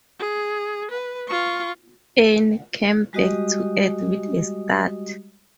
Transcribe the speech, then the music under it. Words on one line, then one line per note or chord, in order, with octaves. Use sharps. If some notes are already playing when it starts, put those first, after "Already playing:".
Anne came back to earth with a start.
G#4
B4
F4 C#6
G3 G#3 F#4 G4 D#5 D#6